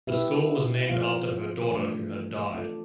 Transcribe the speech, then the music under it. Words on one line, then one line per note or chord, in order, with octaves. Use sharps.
The school was named after her daughter who had died.
B3 E4 G4 B4 E5
F3 B3 F4 C5 F5
E3 A3 D4
C4 F4 A4 D5